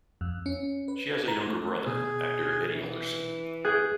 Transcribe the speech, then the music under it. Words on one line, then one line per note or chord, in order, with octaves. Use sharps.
She has a younger brother, actor Eddie Alderson.
F2
C#4
B4
A#5
A3
B2 G#4
E3
G#4 F#6 G6